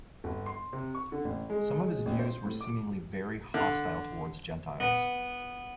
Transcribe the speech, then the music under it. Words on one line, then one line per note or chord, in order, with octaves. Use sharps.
Some of his views were seemingly very hostile towards gentiles.
G1
C6
C3
C#6
D3
A1
G#3
G#3
A1
C5
A2
D6
D3
B3